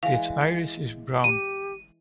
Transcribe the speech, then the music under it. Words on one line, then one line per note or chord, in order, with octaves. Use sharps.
Its iris is brown.
E3 G#3 F5
G4 D#7